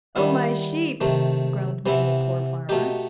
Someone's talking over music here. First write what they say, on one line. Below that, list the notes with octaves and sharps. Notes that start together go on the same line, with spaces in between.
"Oh, my sheep!" groaned many a poor farmer.
D#3 G3 B3 E4
C3 D#3 A3
C3 E3 B3 E4
B2 A3 D#4 G4